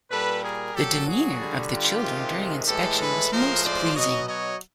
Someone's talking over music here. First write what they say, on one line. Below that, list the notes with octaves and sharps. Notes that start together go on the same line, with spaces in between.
The demeanor of the children during inspection was most pleasing.
A#2 G3 A4 B4
G#4 A#4
A#2 F#3 G4 A4
F#4 G#4
D3 G3
F4 G4
C3 D#3 G#3
A2 E3 G#3 G4 A4
A4 B4
A2 F3 G#3 A#4 C5
C5 D5
B2 F#3 C#5 D#5
C#5 D#5